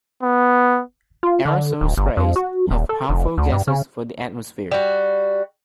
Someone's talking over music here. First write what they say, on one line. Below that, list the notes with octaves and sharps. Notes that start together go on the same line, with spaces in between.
Aerosol sprays have harmful gases for the atmosphere.
B3
F4
D3
D1
G1
F2
F#4
D#1
A4
F1
D2
G2
C#3
G3 F#4